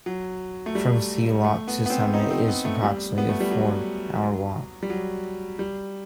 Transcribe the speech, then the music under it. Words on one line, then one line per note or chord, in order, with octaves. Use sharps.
From sea loch to summit is approximately a four-hour walk.
F#3
A3
G3
A3
B3
B3
C4
D#4
C4
B3
A3
G3
B3
A3
G3
F#3
G3
F#3
G3